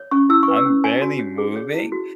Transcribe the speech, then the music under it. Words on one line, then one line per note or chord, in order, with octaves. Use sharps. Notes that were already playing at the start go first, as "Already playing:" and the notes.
I'm barely moving,
Already playing: C#5
C#4 C#6
E4 E6
C#6
B4
E6
C#4
C#5 G#5
F#4
C#5
G#4
C#5
E4
F#4